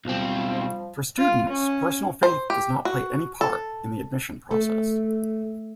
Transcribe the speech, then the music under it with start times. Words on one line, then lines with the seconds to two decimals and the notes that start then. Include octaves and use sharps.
For students, personal faith does not play any part in the admission process.
0.05 B1 F3 G3 C4
1.18 F4
1.49 C#4
2.23 C5
2.50 G4
2.85 F#4
3.41 A4
4.51 A3